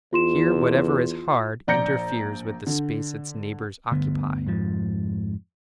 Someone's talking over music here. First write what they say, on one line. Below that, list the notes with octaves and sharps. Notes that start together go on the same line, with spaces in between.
Here whatever is hard interferes with the space its neighbors occupy.
E2 F4 C6 E7
A#1 D5 A#5 G6 A#6 C#7
D3
G1 D2 D3 B3
F2 G#2 F3